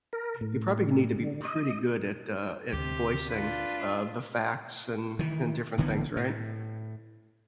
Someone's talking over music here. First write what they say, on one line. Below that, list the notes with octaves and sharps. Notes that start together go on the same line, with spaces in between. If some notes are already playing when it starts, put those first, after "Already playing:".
you probably need to be pretty good at, uh, at voicing, uh, the facts and and different things, right?
A#4
A2
D3
D#5
D2 C3 G4
D4 F4 B4
D#3 E3
A#1 D3 E3 B3
A2